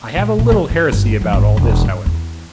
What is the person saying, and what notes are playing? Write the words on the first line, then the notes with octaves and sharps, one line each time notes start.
I have a little heresy about all this, however.
A#2
A#2
G3
G2
G1
F3
G#1
E1
G2
E2